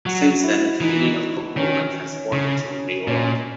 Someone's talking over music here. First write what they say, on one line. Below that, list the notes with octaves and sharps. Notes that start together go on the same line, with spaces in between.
Since then, the community of Kückhoven has formed its own Mayoralty.
F#3 F#4
E4
E3 D#4
D#3 C#4
C#3
A#2 C#4